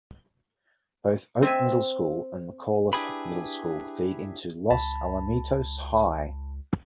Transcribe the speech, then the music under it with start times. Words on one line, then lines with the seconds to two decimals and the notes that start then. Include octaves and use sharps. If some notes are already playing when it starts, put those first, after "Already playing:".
Both Oak Middle School and McAuliffe Middle School feed into Los Alamitos High.
1.42 C4 E5 G#5
2.93 D4 E4 G4 G#4 B4 B5
4.71 C#2 A5 B5